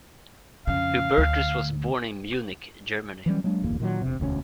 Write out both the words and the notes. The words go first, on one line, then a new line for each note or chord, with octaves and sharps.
Hubertus was born in Munich, Germany.
F2 C#3 F5
D2
E3 F#3 G3 C#4
F#3 G#3 A#3 D4
D1 G1 E2 A#3
A#2 D#3 F#3
E1 C3
E1 D2 B2 C#4